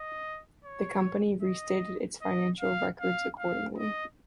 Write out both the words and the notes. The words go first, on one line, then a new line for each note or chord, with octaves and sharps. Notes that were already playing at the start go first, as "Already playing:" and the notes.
The company restated its financial reports accordingly.
Already playing: D#5
C#5
D#5
D#5
F5
F5
F5
D#5